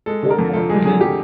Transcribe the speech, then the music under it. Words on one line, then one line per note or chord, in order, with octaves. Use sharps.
workout? Mhm.
G#3 A4
D3
A#4
F2
F3 A4
G#3 G#4
D3 G#4
G4